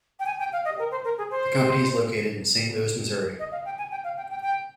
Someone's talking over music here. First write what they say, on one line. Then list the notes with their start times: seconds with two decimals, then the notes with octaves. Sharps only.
The company is located in Saint Louis, Missouri.
0.19 G5
0.26 G#5
0.39 G5
0.52 F5
0.65 D#5
0.79 A#4
0.91 C5
1.04 A#4
1.18 G#4
1.31 C5
3.39 D#5
3.52 F5
3.65 G5
3.78 G#5
3.91 G5
4.04 F5
4.17 G5
4.30 G5
4.42 G5